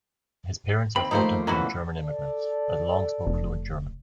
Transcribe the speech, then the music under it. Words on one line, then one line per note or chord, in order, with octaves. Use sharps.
His parents are thought to have been German immigrants, as Long spoke fluent German.
D#2 C4 B5
F3 A3 A#3 D#4 A4 C5
F#2 B2 E3 F#3 E4 F#4
A4 D5
F1